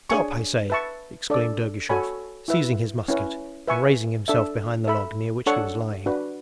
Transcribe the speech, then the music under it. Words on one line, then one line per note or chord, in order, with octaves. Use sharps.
'Stop, I say!' exclaimed Ergushov, seizing his musket and raising himself behind the log near which he was lying.
D4 G#4 C#5 G#5 C#6
B4 E5 A5 C#6
D4 A4 D5
F#4 A4 C#5 G#5 B5
E4 B4 E5
C#4 E4 B4
B4 E5 G#5 C#6
D4 A4 E5
A4 E5 B5
D4 A4 C#5 F#5 C#6
D4 F#4 B4